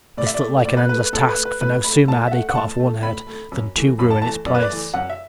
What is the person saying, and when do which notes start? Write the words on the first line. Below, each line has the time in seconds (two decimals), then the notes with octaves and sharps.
But this looked like an endless task, for no sooner had he cut off one head than two grew in its place.
0.17 A2 D5
0.27 E5
0.34 D5
0.42 A3
0.65 A2 D5
0.77 B4
0.89 A3 B4
1.01 B4
1.13 A2 A4
1.28 B4
1.37 A3
1.45 B4
1.61 A2 B4
1.84 A3 B5
2.08 A2 A5
2.28 E5
2.31 A3 F#5
2.49 F#5
2.55 A2 A5
2.80 A3
3.03 A2 B5
3.27 A3
3.52 F#2
3.75 E3 A3
3.99 F#2 B5
4.10 A5
4.22 E3 A3 A5
4.46 F#2 D5
4.55 B4
4.62 D5
4.70 E3 A3
4.94 F#2 F#5
5.10 E5